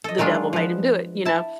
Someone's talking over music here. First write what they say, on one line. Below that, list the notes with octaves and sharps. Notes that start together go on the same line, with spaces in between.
the devil made him do it, you know?
A4 D#5
D#3 F#3 G#3 D4 F4
F3 B3
E4 A5